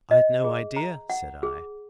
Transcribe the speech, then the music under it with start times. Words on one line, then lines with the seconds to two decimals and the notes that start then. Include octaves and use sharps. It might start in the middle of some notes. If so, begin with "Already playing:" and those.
"I'd no idea," said I.
0.11 D#5
0.44 G#4
0.76 A#5
1.10 F#5
1.43 G#4